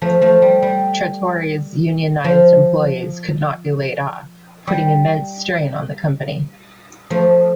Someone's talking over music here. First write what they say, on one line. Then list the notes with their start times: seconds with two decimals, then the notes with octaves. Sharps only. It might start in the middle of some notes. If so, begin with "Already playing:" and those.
Trattori's unionised employees could not be laid off, putting immense strain on the company.
0.02 F3 A3
0.22 F3 A3
0.42 G3
0.62 G3
2.24 F3
4.67 G3
7.10 F3 A3